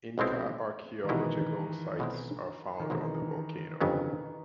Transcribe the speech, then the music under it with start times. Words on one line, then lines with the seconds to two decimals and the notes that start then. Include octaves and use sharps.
Inca archeological sites are found on the volcano.
0.18 B1 B2 G#3 C4 E4
1.04 D#3
1.09 B1 B2 E3 G#3 C4 E4
1.99 B1 B2 G#3 C4 E4
2.80 D#3
2.90 B1 B2 E3 G#3 C4 E4
3.81 G1 F2 C#3 F#3 B3